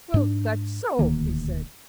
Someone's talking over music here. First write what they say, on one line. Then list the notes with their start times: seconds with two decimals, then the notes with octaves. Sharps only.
"Well, that's so," he said.
0.14 G#2 D4
0.99 D#1 D2 D#3 A#3